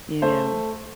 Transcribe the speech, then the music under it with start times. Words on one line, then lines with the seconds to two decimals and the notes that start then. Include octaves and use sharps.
You know?
0.22 A3 C5